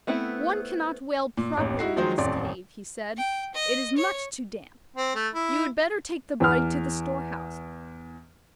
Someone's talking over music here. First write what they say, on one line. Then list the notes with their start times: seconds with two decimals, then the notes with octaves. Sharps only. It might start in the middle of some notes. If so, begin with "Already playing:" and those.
'One cannot wail properly in this cave,' he said, 'it is much too damp. You had better take the body to the storehouse.
0.07 A3 B3 C4 E4
1.37 A#2
1.57 A1 D#2
1.79 D#4 E4 F#4 C7
1.96 D#3 F3 F#3 G#3 D#4 C5
2.18 D#1 A1 F2 D5 C6
3.17 G5
3.54 D#5
3.97 C#5
4.96 C4
5.15 A3
5.35 E4
6.40 E2 F6